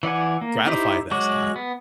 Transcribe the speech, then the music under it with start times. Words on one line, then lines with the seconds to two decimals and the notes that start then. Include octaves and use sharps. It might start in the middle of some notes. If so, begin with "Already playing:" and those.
gratify it as that?
0.03 E3 D5 F#5 G#5
0.41 A#3
0.67 D#4 E4 G4 C5 E5
1.11 F#3 G#3 F#4 C#6 D6
1.56 B3